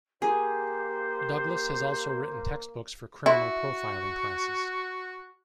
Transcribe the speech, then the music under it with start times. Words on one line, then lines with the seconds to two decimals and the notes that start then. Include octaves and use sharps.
Douglas has also written textbooks for criminal profiling classes.
0.22 A#3 G4 G#4 C5
3.26 E4 F#4